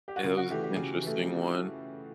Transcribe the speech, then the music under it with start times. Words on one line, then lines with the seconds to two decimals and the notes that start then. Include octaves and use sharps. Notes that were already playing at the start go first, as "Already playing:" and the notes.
It was interesting one.
0.08 G4
0.16 F#4
0.24 C#3 F4
0.37 F#4
0.50 E3 A3 G4
0.63 G4
0.76 C#3 G#4
1.02 E3 A3